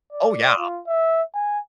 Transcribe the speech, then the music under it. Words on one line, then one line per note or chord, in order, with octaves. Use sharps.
Oh, yeah.
D5
F4
E5
G#5